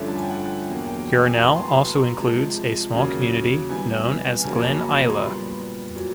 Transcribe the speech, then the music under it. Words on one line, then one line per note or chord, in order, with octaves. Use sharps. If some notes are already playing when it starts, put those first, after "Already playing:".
Yarnell also includes a small community known as Glen Ilah.
Already playing: G2 D3 F3 A3 C#4
A5
G#5
G5
F#5
E2 B2 F#3 A#3
G5
G#5
A#5
A2 F#3 B3 A5
C6
B5
A5
A#5
C3 F3 G#3 A5
D#2 C#3 F#3 A#3 C#4
C3 E3 G3 B3 G#5
G#5
F2 C#3 F#3 A#3 C#4 A5
A5
B5
A#5
A#5
C6
A#2 G3 B3 B5
A#2 F#3